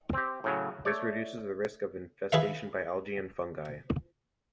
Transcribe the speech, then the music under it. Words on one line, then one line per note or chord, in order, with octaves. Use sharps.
This reduces the risk of infestation by algae and fungi.
C4 G4
A2 C#3 F#3
A3 C#5 D5
G#4 B4 E5 F5